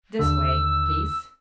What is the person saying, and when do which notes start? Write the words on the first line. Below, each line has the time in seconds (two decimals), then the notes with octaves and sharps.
"This way, please."
0.19 D#2 D3 E6